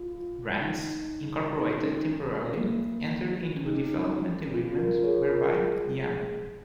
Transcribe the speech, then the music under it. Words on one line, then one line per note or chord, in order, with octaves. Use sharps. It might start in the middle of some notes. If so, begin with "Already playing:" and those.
Brands, Incorporated temporarily entered into a development agreement whereby Yum!
Already playing: F4
D#4
D#4
C#4
A#3
C#4
D#4
C#4
C#4
C#4
F4
F4 A#4
G#4 C#5
F4 A#4
G#4